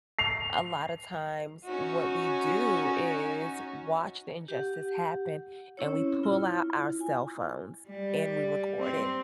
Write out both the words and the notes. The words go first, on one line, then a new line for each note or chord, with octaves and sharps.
a lotta times what we do is watch the injustice happen, and we pull out our cell phones, and we record it,
C7 F7
C#4 D#4 F#4
G4 F#5
C4 C#4 E4 C#5
E4 F4
G#5
G3
C4